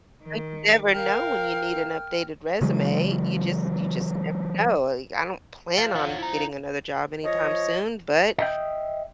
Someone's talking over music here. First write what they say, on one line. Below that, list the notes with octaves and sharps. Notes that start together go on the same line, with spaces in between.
you never know when you need an updated resume. You just you just never know, like, I don't plan on getting another job anytime soon, but,
D#3
A#4 F5 G5 F6
C#3 E3 F#3 G#3
F3
E2 C#5 F#5
E4 A#5
F3 C#5 D#5
D#5 E5 G5